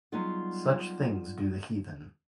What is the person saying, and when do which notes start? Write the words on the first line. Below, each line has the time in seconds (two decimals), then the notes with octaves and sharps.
Such things do the heathen.
0.12 F#3 G3 B3 D#4 F4 G#4